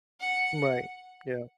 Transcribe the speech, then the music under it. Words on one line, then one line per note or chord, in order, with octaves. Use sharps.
Right, yeah.
F#5